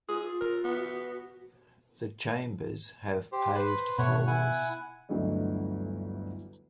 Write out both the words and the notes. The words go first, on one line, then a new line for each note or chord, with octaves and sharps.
The chambers have paved floors.
F4 G#4
F4
A#4
B3
F#4
G4 C5
B4 C5 B5
B2 A3 C#5 F#5
E4 F#5 G#5
G1 D2 D3 E3 F#3 D#5